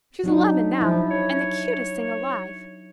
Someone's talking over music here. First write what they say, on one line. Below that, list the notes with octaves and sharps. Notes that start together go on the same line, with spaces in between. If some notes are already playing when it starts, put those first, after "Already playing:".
She's eleven now, and the cutest thing alive.
F#3 D4 D#4
F3 E4
C#5